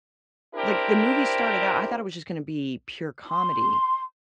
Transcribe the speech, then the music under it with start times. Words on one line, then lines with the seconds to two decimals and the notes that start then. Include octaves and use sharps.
like, the movie started out I thought it was just gonna be pure comedy
0.55 C4 D4 E4 G4 A#4 C5
3.30 C6